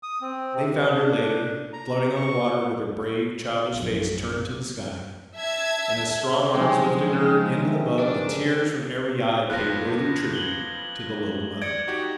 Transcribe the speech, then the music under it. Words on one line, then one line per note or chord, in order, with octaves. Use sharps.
They found her later, floating on the water with her brave childish face turned to the sky; and as strong arms lifted her into the boat, the tears from every eye paid worthy tribute to the "little mother."
D#6
C4
C3
D4
A#5
C#6
A#1 F#2
E5 A5 G#6
D3 F3 F#3 G#3 C4 C#4 D#4
A3 G4 A#4 E5
C#3 A#3 D4
F2 B3 F4 F#6 A#6
G#6 F#7 G7
D5 G#6 C#7 D7
D#4 F#4 G4